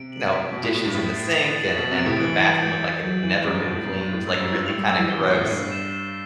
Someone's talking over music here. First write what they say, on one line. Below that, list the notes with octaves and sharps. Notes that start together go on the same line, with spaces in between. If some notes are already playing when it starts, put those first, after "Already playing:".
you know, dishes in the sink and and the bathroom looked like it had never been cleaned, like really kinda gross.
Already playing: C3 D7
F#7
B6
B2 B6
A2
A2 B6
G2
A2 A6
C7
A6
F#7
B2 F#7
C3
D7
A2
E3 D7
A6
G6
G6
F#3 G6
E3 F#7
F#2 A6
G2
B2 A6
A2
F#2 C7
G2
A6
A2
G2 E6
F#2
E6
G2
A2 E6
G3
F#3 E6
E3
E3 G7
B2
A2 C7
A2
G2 C7
E7
E7